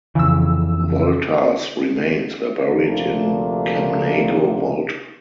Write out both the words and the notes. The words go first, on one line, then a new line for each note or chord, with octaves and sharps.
Volta's remains were buried in Camnago Volta.
F2 C#3 E3 E6
D2 C3 F3 A#3 D4